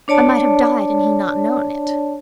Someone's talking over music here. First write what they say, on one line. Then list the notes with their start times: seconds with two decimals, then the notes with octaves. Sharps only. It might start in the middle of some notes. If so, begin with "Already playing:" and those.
I might have died and he not known it!
0.08 D4 C#5 D5 A5